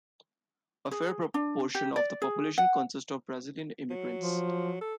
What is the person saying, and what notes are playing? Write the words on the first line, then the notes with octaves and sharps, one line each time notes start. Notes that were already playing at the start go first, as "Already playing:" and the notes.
A fair portion of the population consists of Brazilian immigrants.
G#4
D4
G4
D5
G#4
F#5
F#3
F3
A4